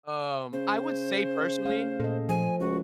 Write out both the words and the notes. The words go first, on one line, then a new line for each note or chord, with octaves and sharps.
Um, I would say, personally
C#3 C5
A3 C#4 F5
A#2 A4 D#5
F3 C5 G#5
C#2 F#4